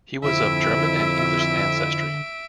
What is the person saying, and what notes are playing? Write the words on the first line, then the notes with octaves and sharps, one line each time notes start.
He was of German and English ancestry.
F2 D3 E4 E5 D7